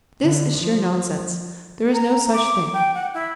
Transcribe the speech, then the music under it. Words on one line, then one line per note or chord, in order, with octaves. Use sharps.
This is sheer nonsense: there is no such thing.
D3
F3
A#5
D6
G5
F#5
E4